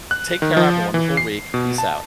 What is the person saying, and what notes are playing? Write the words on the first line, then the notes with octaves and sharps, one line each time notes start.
Take care, have a wonderful week, peace out.
F#6
D#3
F3
E3
C7
B2
A5